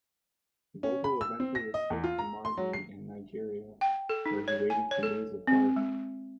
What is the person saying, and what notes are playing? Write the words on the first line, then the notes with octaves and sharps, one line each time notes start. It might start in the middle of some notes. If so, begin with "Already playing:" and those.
Vogel eventually escaped to Marghi in Nigeria where he waited for news of Barth.
C#4
B5
E6
C4
A#6
D#5
E2
F4
A#5
C6
F#3
C7
G5
A4
D#4
C#5
G#5
C#5
A4
C4
G#3